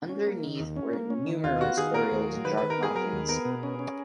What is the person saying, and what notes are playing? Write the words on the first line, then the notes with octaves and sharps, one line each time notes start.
Underneath were numerous burials in jar coffins.
C#4
A#3
D#3
D#2
C#4
A#3
C#4
D#3
D#2 F4
B3 F#4
D#3 G#4
B3 A#4
D#2
F#3
D#3 B4
D#3 B4
A#4
B3 G#4
F#3 A#4
D#2
B3 A#4
B2
C#4
C#4